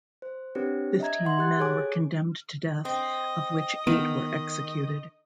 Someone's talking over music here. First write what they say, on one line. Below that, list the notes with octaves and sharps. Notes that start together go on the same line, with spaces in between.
Fifteen men were condemned to death of which eight were executed.
C5
C4 D4 G4 B4 C#5
D#5 E5 A#5 G#6
F#5 C6 G#6
G4 F#6 A6
G#4 A4 C#5 G#5 D6
C4 D#5
D#3 B3